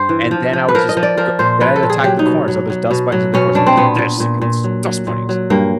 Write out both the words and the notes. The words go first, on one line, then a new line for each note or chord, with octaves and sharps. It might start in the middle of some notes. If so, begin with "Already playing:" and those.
And then I would just go then I'd attack the corners, so there's dust bunnies in the corners. "I'm gonna get this! I get these dust bunnies!"
Already playing: G2 C5
E3
F3
F3
B4
F3 A#4
D#5
F3
D5
F3 A#4
A#2 C5
F3 B4
A4
A#2
G#4
F#3 G4
D#4
B2
F#3
F#3
B2
F#3
B2 C#4
B2 D4
C4
A#2 B3
A#2
A#2
A#2
F#3
F#3
A#2
F#3
G2 A#3